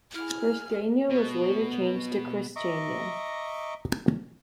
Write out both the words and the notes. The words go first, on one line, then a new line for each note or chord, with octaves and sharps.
"Christiania" was later changed to "Kristiania".
E4 G#4 F6
B2
D#5 E5 A#5 C#6 D6